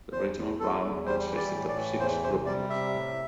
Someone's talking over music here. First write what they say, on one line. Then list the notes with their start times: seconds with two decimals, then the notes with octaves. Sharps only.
The regional round consisted of six groupings.
0.12 E2 C5
0.35 E2
0.58 E2 A4
0.83 E2
1.06 G3 C5
1.30 E3
1.37 D5
1.53 A2
1.68 D5
1.76 E3
2.00 E2 C5
2.23 C3 C5
2.46 G3 D5
2.70 C3 E5
2.94 A2